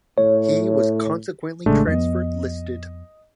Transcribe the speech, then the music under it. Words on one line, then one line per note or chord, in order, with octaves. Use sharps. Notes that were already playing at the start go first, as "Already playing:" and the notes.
He was consequently transfer listed.
A2 C#5
A1 C#3 G#3 A3 D4
F2 B3 D#5